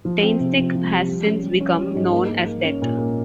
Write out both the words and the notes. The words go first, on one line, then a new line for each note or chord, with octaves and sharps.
Taintstick has since become known as Death!
F3
C4
C3
F3
F3
G4
G3
C#4
G3
C#4
G3
G#2
A#3
A#3
A#3
C#4
A#2
A#3